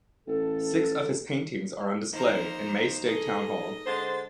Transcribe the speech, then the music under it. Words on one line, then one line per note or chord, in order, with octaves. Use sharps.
Six of his paintings are on display in Maesteg Town Hall.
A1 A4
F3 A#3 D#4 C5 A#5
G#4 A4 D#5
D3 G#3 C5 A6